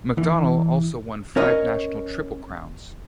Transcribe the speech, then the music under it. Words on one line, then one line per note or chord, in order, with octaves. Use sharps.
McDonnell also won five national triple crowns.
E3
C#4 A#4 C#5 D#5